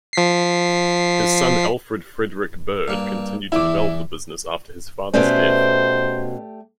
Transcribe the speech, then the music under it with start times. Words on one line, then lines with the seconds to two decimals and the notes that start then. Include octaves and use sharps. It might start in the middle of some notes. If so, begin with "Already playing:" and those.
His son Alfred Frederick Bird continued to develop the business after his father's death.
0.13 F3 B6 C7
2.88 G2 A#3
3.52 E2 E3 E4 D6
5.14 B2 A3 C#4 G4 C5 D5